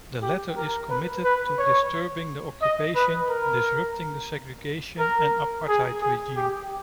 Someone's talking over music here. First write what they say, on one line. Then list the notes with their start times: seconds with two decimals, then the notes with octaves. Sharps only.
The latter is committed to 'disturbing the occupation, disrupting the segregation and apartheid regime'.
0.22 G4
0.57 A#4
0.90 B4
1.24 B4
1.58 C#5
2.62 D#5
2.96 B4
3.30 A#4
4.99 A#4
5.68 G#4
6.02 G#4
6.36 G4